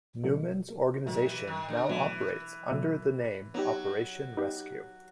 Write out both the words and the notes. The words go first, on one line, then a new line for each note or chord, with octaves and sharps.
Newman's organization now operates under the name Operation Rescue.
B2 F#3 A3
B2 D#3 F#3 A3
E3
D#3
D3
B2 E3 F#3 A3
B2 F#3 A3
F#3 B3 D#4 G4
B3 D#4 G4